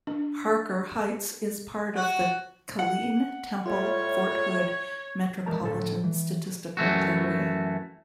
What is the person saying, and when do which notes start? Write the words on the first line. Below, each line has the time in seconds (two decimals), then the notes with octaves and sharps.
Harker Heights is part of the Killeen-Temple-Fort Hood Metropolitan Statistical Area.
0.07 D4
1.96 F#4
2.79 F#5
3.66 A2 G3 A3 F4 C#5
5.46 E3 F3 G#3 A#4 A5 A#5
5.61 A2 D3 F3 A4
6.04 E3
6.77 F#2 E3 A3 F#4